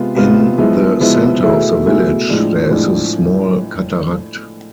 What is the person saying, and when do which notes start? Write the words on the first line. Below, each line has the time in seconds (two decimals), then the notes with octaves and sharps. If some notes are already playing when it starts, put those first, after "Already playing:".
In the center of the village there is a small cataract.
Already playing: C3 G#3 B3 F4
0.15 C3 G#3 B3 F4
0.58 F3 G#3 B3 E4
1.00 F3 G#3 B3 E4
1.43 B2 A3 E4 G#4
1.85 B2 A3 E4 G#4
2.28 A2 F3 G#3 D4
2.70 A2 F3 G#3 D4